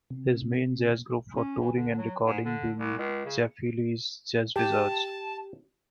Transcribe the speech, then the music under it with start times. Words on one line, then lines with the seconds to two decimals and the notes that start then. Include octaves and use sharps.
His main jazz group for touring and recording being Jeff Healey's Jazz Wizards.
0.10 C3
1.36 C#4
1.60 E3
1.76 D3
1.98 F#3
2.25 G#2
2.45 D3
2.77 C2
2.98 C#2
3.26 C#3
4.56 G4 A5